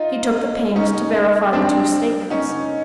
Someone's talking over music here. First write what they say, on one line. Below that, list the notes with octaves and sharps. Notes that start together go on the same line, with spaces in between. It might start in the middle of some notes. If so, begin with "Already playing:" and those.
He took the pains to verify the two statements.
Already playing: D#4 F4
C#4 D#4
C4 D4
C#4 D#4